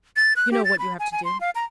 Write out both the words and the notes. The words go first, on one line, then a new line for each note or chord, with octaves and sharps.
You know what you have to do.
A6
F#6
G4
A6
B5
G#5
G#5
C6
F5
A#5